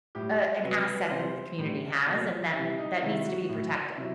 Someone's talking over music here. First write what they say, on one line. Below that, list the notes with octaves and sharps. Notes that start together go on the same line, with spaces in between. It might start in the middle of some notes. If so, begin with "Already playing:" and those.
a an asset that the community has and that that needs to be protected.
A2 G3 G4
C3 F#3 B4
B4
C3 E3 G3 C5
A2 E3 G3
B2 F#3
C3 E3 G3 E4
D#4
C3 D#3 G3 E4
F#4
A2 F#3
C3 F#3 E4